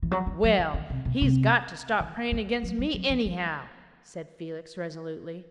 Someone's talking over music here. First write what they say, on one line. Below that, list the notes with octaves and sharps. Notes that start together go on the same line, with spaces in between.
"Well, he's got to stop praying against me, anyhow," said Felix resolutely.
E3
F#3
G3
F#3
E3
D#3
C3
B2
C3
E3
G3
F#3
G3
F#3
E3
G3